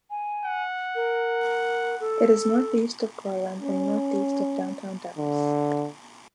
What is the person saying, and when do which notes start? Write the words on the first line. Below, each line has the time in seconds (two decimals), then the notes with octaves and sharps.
It is northeast of Garland and northeast of downtown Dallas.
0.10 G#5
0.44 F#5
0.95 A#4
2.00 A4
3.62 C#4
5.18 D3